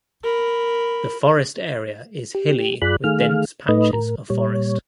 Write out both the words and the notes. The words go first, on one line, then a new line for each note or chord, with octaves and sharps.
The forest area is hilly with dense patches of forest.
A#4 B5
G4
F#2 F4 G#4 D5 B5 F#6
D#3 A3 G#4 F5 F6
A2 A3 D#4 B4 D#5
A2 A#4
A#2 G3 C#5